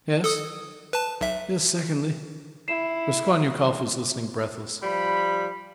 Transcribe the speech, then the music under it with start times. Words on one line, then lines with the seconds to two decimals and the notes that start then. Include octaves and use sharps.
"Yes, yes, secondly?" Raskolnikov was listening breathless.
0.24 A4 D#6
0.93 B4 A5
1.21 B1 E5
2.68 E4 C7 E7
4.83 F3 G3 B5